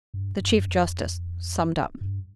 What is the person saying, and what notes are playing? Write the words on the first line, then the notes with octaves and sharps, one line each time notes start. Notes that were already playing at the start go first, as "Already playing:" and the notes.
The chief-justice summed up.
G2
G2
F2
G2
F2
G2